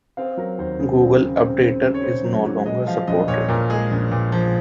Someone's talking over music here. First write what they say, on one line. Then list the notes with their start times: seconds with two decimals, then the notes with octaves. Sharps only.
Google Updater is no longer supported.
0.17 C4 F5
0.37 F#3 A#4
0.58 D#2 C5
0.79 C#3
1.00 C4
1.21 C#3
1.42 C4
1.63 C4
1.83 C#3
1.94 C#5
2.03 C#3 C5
2.24 F#3
2.45 F#3
2.66 G#3 D#5
2.87 F3 F5
3.07 A#1 D#5
3.28 A#2 C#5
3.49 A#2 A#4
3.70 G#3 G#4
3.91 A#1
4.12 A#2
4.32 F3